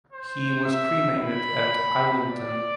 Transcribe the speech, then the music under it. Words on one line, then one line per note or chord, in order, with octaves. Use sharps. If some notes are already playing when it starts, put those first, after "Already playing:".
He was cremated at Islington.
C5
E5
B5
D5